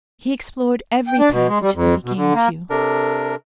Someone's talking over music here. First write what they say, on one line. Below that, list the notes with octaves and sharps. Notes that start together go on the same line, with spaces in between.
He explored every passage that he came to.
G5
D4
B2
G#3
G3
F2
B2
D3
A#3
C3 D4 A4 A#4